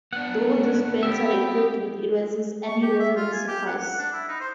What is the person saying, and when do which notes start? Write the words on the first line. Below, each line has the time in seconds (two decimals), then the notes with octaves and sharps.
Though these pens are equipped with erasers, any eraser will suffice.
0.13 B3 D4 F#5
1.03 B3 C4 G4 E5
2.67 C#6
2.82 G4
3.00 E5
3.16 F4
3.33 G#5
3.48 G4
3.67 F#5
3.81 F#5
3.98 D4
4.13 E4
4.28 D#4
4.40 C5